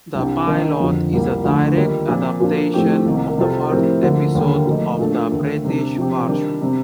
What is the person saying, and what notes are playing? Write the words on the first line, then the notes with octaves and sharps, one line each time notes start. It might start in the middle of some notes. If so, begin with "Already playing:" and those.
The pilot is a direct adaptation of the first episode of the British version.
C2 C3 G3 D4 G4
D#3 G3 A#3 D4
F2 D3 F3
C2 A#2 G3 A#3
D2 D3 F3 A3 D4
D#3 G3 A#3 F4 A#4
A#2 F3 C4 F4
A#2 F3 A#3 D4 F4
A2 F3 A3 C4 G4
C2 C3 D#3 A#3
C3 G3 C4 F4 A4
A2 F3 C4 G4 A#4
D2 D3 F3 A#3
D#2 D3 G3 A#3
A#2 F3 A3 D#4
A#2 A3 D4 A4
D#2 D3 A3
C3 G3 D4
C3 F3 C4 G4
D#3 G3 D4 G4 A#4
C3 G3 C4